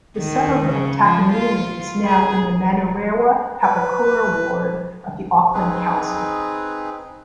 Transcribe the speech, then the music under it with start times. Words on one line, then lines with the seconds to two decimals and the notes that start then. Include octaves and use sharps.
The suburb of Takanini is now in the Manurewa-Papakura Ward of the Auckland Council.
0.18 D#3
0.69 C#3
1.01 F3
1.33 F4
2.05 G#4
3.62 B4
5.54 C4 D#4 G#4 B4